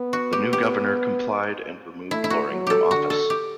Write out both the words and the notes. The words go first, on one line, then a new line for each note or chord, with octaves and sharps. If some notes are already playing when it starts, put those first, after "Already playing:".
The new governor complied and removed Loring from office.
Already playing: B3
F#4
G4
G4
A3 E4
E4
F#4
F#3
G4 A4
D3 F#4
A4
G4